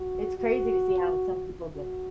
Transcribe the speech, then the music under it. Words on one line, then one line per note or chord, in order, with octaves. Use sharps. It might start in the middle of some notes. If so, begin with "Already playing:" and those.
It's crazy to see how some people built
Already playing: F#4
F#4
F#4